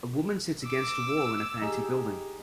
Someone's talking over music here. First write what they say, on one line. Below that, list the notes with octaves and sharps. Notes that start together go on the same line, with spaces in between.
A woman sits against a wall in a fancy building.
D6 E6
D#4 G4 G#4